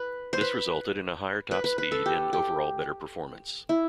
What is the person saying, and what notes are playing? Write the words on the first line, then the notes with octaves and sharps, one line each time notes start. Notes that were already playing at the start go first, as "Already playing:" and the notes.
This resulted in a higher top speed and overall better performance.
Already playing: B4
C5
B4
B4
B4
B4
A4
G4
G4
E4